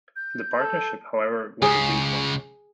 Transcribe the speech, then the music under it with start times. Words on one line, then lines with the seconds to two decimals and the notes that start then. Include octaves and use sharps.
The partnership, however, was a brief one.
0.16 G6
0.59 A4
1.62 C#2 C#3 G#4